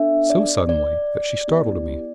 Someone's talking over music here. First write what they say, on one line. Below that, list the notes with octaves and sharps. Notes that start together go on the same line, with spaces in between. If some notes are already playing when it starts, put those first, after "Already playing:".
So suddenly that she startled me.
Already playing: B3 D4 A4 E5
D5
D5
B3 E4 G4